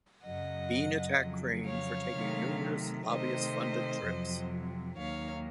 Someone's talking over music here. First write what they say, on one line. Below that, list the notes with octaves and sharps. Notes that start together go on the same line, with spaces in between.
Bean attacked Crane for taking numerous lobbyist-funded trips.
F#2 C#3 F#3 D#5 F#5
F2 C#3 F#3
C#5 F5
C3 D#3 F#3 A3
C3 D#3 A3 C5 D#5
F2 C3 F#3
D#2 D#3 F#3 A#3 C#5 F5